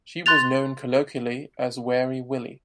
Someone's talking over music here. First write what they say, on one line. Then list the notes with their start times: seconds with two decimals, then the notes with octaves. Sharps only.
She was known colloquially as "Weary Willy".
0.26 C6 F#6 A6 F7